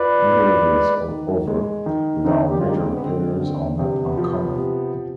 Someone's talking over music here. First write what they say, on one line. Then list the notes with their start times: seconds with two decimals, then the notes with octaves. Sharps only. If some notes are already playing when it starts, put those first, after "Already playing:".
Mileages of over without major repairs are not uncommon.
Already playing: F4 B4 D5
0.32 B3
0.70 G#3
1.08 D#3
1.47 G#3
1.86 D#3
2.24 D3 C4 D#4
2.50 G4
2.59 F4
2.63 G#3
2.68 D#4 G4
2.76 C4
2.92 B3
3.02 D3 C4
3.40 D3 C4
3.79 C3 C4
3.87 B3
4.01 B3
4.17 F3
4.56 C3
4.95 C3